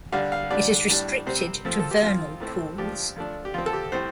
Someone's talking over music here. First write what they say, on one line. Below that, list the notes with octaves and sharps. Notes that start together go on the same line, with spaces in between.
It is restricted to vernal pools.
D3 G3 D4 F5
F5
D3 G3 D4 D5
A2 G3 D4
C3 G3 C4 C5
F3 A3 C4
A4
G4
F3 C4 F4
A2 A3 C4
F3 D4 G4
F3 A3 D4
G4
F3 C4 F4
A4
G4
A2 G3 C4 C5